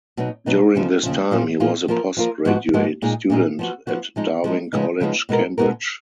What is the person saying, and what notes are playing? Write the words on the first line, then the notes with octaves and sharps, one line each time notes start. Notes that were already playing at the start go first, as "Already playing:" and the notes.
During this time he was a postgraduate student at Darwin College, Cambridge.
B2 F#3 B3 D#4
B2 F#3 B3 D#4
D#2 C#3 F3
D#2 C#3 F3
A#2 F3 A#3 F4
A#2 F3 A#3 F4
F3 A#3 F4 A#4
F3 A#3 F4 A#4
G#2 F3 G#3 B3 F#4
G#2 F3 G#3 B3 F#4
A#2 G#3 D#4 G#4
A#2 G#3 D#4 G#4
F3 B3 F#4
F3 B3 F#4
F3 G#3 D#4
F3 G#3 D#4
C#3 F3 G#3 B3 D#4
C#3 F3 G#3 B3 D#4
B2 G#3 B3 F#4 A#4
B2 G#3 B3 F#4 A#4